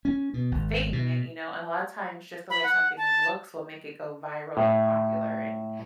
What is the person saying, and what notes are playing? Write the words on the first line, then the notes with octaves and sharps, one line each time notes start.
thing, you know, and a lotta times, just the way something looks will make it go viral and popular, and
C#4
B2
G#1
B2
B5
F#5
A5
A2